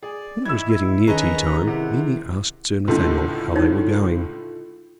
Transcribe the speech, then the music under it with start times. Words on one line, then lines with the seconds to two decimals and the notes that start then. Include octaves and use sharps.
When it was getting near tea-time, Mimi asked Sir Nathaniel how they were going.
0.03 G#4 D5
0.45 D#3 E4 E6 G#6
1.07 D#3 C#4 G#4 B4 D#5 A#5 C#6
1.67 C3 E4 F#5
2.88 C#2 A2 D3 F4 A4
3.55 D#4 E4 C#5